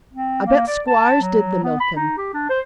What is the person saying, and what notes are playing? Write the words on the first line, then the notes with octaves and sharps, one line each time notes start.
I bet squires did the milkin'.
C4
A#3
D5
A5
F#3
B3
B5
D#4
G4
D4
C5